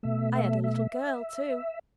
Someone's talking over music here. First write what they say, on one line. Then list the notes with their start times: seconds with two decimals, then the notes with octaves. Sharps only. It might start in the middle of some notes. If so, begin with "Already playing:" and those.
I had a little girl, too.
0.03 B2 A3 E5
0.33 E5
0.64 E5